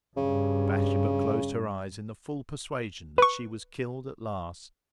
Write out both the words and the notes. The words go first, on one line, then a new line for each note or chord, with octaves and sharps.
Bathsheba closed her eyes in the full persuasion that she was killed at last.
G2 C#3
B4 C#6